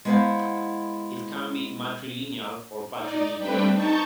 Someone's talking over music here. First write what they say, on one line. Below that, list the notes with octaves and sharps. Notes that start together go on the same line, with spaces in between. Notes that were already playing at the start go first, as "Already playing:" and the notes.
It can be matrilineal or patrilineal.
G#3 B3 E4 C5 F5 F#5
D#4 D5
G3 A3 C4 D4 B4 G5
D#4 A5 C#6 G6 A6